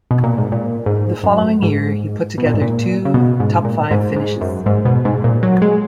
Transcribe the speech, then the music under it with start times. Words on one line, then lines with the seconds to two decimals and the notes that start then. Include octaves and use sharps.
The following year, he put together two top-five finishes.
0.11 B2
0.24 A#2
0.38 G#2
0.52 A#2
0.86 G#2
1.24 F#2
1.62 G#2
2.38 B2
2.46 A#2
2.54 G#2
2.62 A#2
3.05 C#3
3.14 B2
3.40 G#2
3.65 A#2
3.91 G#2
4.16 G#2
4.41 F#2
4.66 G#2
4.85 B2
5.05 G#2
5.24 A#2
5.43 F#3
5.62 G#3